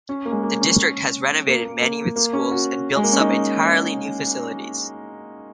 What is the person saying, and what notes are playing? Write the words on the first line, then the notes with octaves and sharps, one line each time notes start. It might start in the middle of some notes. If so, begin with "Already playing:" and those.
The District has renovated many of its schools and built some entirely new facilities.
C#4
A#3
G#3
A#3
C#4
A#3
A#3
A#3
A#3
C#4
F#4
G#3
A#3
C#4
D#4
C#4